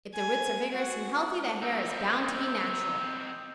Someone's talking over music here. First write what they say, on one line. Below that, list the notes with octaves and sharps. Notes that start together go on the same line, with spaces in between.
If the roots are vigorous and healthy, the hair is bound to be natural.
G#5
F#4
C4 D#4